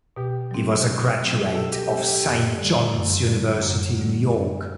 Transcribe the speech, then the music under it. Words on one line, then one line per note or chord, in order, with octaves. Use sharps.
He was a graduate of Saint John's University, New York.
B2 G4
F#3 C4
B2
F#3 C4
G4
B2 A4
G4
F#3 C4 G4
G4
F#2 A4
D3 G3
F#2
D3 G3
F#2 F#4
D3 G3
F#2